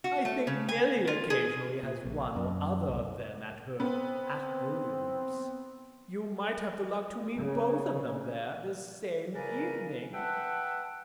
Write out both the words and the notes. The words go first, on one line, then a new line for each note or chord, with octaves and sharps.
I think Milly occasionally has one or other of them at her at-homes; you might have the luck to meet both of them there the same evening.
F#4
A3
C#3
G#5
F4
G#4
A#2
A#1
F#2
C2
B3 C4
C#3
C#3 A#4 B4 D5 G#5
B4 E5 F#5 G5 A5